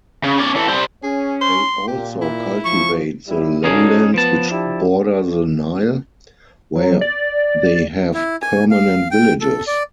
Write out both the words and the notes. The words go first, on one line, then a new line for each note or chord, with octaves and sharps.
They also cultivate the lowlands which border the Nile, where they have permanent villages.
C#3
C#4 D5
E3 A4
G3 C5
C#4 G#4
C6
A#2 G4
E4
F3 C#6
F#2 G3 E4
G2 C#4 D#4 F#4 G#4 A4
F3 B3 A5
D4 E4 G4
F#3
D5
E4
G#5
F5
G5
A4
D5